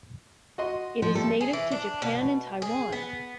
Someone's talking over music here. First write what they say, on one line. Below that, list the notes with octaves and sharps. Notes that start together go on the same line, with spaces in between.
It is native to Japan and Taiwan.
F#4 D#5 C6
F3
G3 A3 A4
G#4
E3
D4
B2
G#4
B3